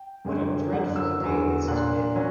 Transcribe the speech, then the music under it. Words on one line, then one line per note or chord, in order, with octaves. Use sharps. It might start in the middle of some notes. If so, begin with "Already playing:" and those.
What a dreadful day this has been!
Already playing: G5
F#2 D3 A#3 C#4
F#2 D3 A#3 F#5
E6
E2 D3 F#3
A#2 A#3 D4 F#6
F#3 C#4